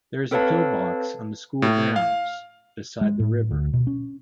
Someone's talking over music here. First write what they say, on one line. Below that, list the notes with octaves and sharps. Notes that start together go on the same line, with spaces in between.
There is a pillbox on the school grounds, beside the river.
C4 A4 B4 C#5 F5 A5
A2
F5
G#3
A2
D2
B2
C#4